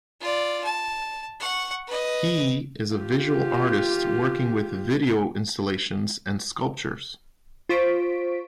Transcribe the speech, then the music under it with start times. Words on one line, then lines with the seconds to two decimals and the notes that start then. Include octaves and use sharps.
He is a visual artist working with video-installations and sculptures.
0.20 F4 D5
0.64 A5
1.40 F#5 C#6
1.87 B4 D#5
2.94 F4 G4
7.69 F4 C5 C#6 B6 D7